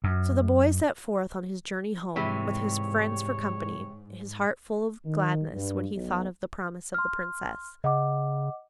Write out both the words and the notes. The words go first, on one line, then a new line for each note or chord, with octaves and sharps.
So the boy set forth on his journey home, with his friends for company; his heart full of gladness when he thought of the promise of the princess.
F#2
G#2 C3 E3 G3 G#3 C#5
D#3
G2
B1
C6 F6
C#3 D#5 F#5 D6